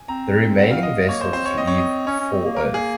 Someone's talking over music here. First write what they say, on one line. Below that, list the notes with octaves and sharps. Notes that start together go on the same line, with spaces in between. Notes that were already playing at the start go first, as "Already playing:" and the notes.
The remaining vessels leave for Earth.
Already playing: G#5
C4 A#5
F#5
F5
D#5
A#3 C#5
C5
C4 C5
C#5
C4 D#5
C#5
D#5
C#4 C#5
C#4
C4
A#3
A#4
G#4